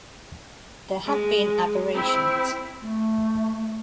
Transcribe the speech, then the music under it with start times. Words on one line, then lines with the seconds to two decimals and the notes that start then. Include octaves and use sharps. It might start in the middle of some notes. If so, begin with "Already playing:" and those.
There have been aberrations.
1.05 G#3
1.94 C4 E4
2.81 A3